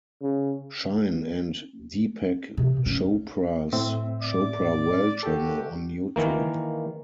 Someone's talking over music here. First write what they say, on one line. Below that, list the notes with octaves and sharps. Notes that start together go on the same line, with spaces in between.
Shine and Deepak Chopra's Chopra Well channel on YouTube.
C#3
C3
C#4
A2 C4 E5
D5 D6
F#4 G4 A4
D#3 E3 A#3